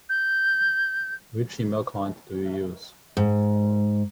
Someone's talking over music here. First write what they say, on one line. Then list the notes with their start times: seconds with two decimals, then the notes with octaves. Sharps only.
Which email client do you use?
0.09 G6
3.17 G#2